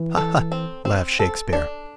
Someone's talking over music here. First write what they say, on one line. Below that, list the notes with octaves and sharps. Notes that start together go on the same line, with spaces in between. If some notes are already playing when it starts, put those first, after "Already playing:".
"Ha-ha!" laughed Shakespeare.
Already playing: E3
A4
C4
C4
A4
D4